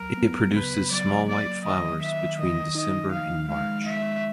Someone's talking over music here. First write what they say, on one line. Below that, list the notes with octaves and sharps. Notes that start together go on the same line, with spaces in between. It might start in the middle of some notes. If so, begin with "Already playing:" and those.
It produces small white flowers between December and March.
Already playing: F#3 A#4
B3
C#3 B4
F#3 D5
A#3 D5
D#3 D#5
D#3 E5
D#3 D#5
D#4 D#5
F3 F5
G#3 F5
G#3 E5